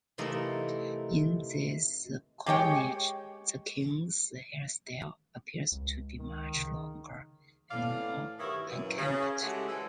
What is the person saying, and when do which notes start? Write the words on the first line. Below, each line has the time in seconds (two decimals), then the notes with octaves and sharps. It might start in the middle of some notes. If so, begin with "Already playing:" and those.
In this coinage the king's hairstyle appears to be much longer and more unkempt.
0.18 C3 E3 A3 A#3 D#4 E4
2.46 G#3 G4 C#5 G5
5.72 C#2
6.19 D#3
6.56 C#3
7.70 A2 E3 D5 F5
8.39 G2 B2 D#3 B3 E4 C#5
8.68 F#2 A#2 E3
8.96 C#3
9.42 C#3 G#3 A3 E4 F#4 G4
9.68 E3 G#3 C4 A4